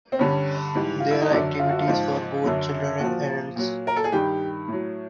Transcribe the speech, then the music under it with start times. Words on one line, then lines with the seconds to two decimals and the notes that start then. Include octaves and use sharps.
There are activities for both children and adults.
0.12 C4
0.19 G2 D3 G3 C#4
0.75 G#2 E3 G3
1.00 F4
1.10 E4
1.21 D#4
1.31 F#2 D3 F#3 D4
1.59 F4
1.69 F#4
1.79 F4
1.88 G#2 F3
2.43 F#2 D3 F#3
2.99 A#2 F3 F#4
3.56 A#2 F#3
3.87 A#4
3.96 A4
4.04 G#4
4.12 G2 D#3 G3 G4
4.68 A2 F#3